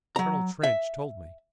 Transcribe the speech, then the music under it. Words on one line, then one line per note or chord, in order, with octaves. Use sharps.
"Colonel Trench told me."
F#3 A#5
E5